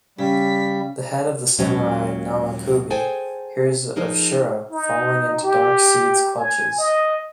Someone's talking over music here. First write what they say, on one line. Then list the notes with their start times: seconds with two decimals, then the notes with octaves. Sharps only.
The head of the samurai Namakubi hears of Shura falling into Darc Seed's clutches.
0.18 C#3 G3 B6
1.58 D#2 A#2 F#3 G#3 C#4
2.90 G#4 A4 C5 G5 G#5
3.96 F3 D#4 G#4 A#4
4.71 D#4
5.43 G4
6.38 G#5
6.78 D#5